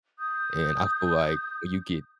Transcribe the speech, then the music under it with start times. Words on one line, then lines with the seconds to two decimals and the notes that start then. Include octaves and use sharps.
and I feel like you get
0.18 D#6 G6